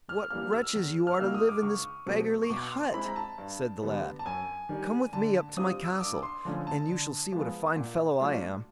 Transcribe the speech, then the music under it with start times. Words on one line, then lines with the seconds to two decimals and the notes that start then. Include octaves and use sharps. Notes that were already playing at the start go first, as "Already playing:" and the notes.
'What wretches you are to live in this beggarly hut', said the lad. 'Come with me up to my castle, and you shall see what a fine fellow I am.'
0.09 F6
0.31 E3 G3 A#3 F6
0.53 E6
0.75 E2
1.07 F6
1.18 C#3 F#3 A#3 D#4 E6
1.34 D#6
1.49 D6
1.62 C#2 C#6
2.06 B2 F#3 A3 C4
2.42 C#6
2.50 B2 D6
2.72 C6
2.94 G#3 C4 E4 B5
3.06 A#5
3.16 A5
3.38 G2
3.82 D3 G3 B3
4.19 A5
4.25 F#2 G#5
4.69 D#3 G3
5.13 D3 A5
5.57 G3 C4 F4 D#6
5.84 E6
5.93 D#6
6.01 G2 D6
6.23 C6
6.45 D3 F3 A3 C#4
6.67 A5
6.89 D3
7.32 F3 G#3 B3
7.76 A#2
8.20 F#3 A3 D4 F4